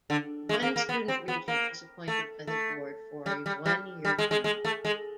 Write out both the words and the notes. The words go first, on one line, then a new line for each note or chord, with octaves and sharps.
One student Regent is appointed by the Board for a one-year term.
D3
G#3
A#3
A#3
B3
C4
B3
A#3
A3
A3
G3
G3
G3
G3
G#3
G#3
G#3
A3
G#3